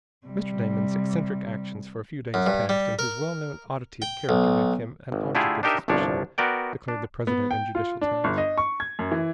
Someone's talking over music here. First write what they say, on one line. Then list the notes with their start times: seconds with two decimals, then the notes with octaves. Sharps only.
"Mr. Damon's eccentric actions for a few days past, and his well-known oddity of character make him an object of suspicion," declared the president in judicial tones.
0.27 C3 G3
2.34 F#2
2.46 G2
2.69 G3
2.99 A#4
4.02 G5
4.29 B1
5.12 G#1
5.35 D3 A3 E4 F4 G4 G#4
5.63 D4 D#4 G4 A#4 D#5 E5
5.88 G1 C2 F3 D4 C#5
6.38 B3 F#4 A#4 D5 G5
6.88 D4
7.27 B3
7.51 G5
7.75 F4
8.01 D4
8.24 G1
8.38 D#5
8.58 C#6
8.80 G#6
8.99 F#2
9.12 E3